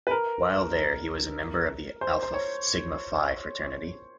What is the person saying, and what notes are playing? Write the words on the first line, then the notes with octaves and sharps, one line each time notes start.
While there, he was a member of Alpha Sigma Phi Fraternity.
B4
A#4
C5
C5
C#5